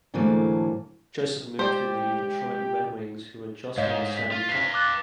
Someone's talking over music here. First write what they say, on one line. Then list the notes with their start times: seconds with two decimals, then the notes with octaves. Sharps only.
Joseph moved to the Detroit Red Wings, who had just won the Stanley Cup.
0.14 G#2 D3 E3 F#3 A3 A#3
1.59 G#3 G4 C5 D5
3.78 G#2 C#5 D#5 F5
4.17 B6
4.32 F4
4.49 B4 F5 B6 C7
4.74 D6 F#6 A6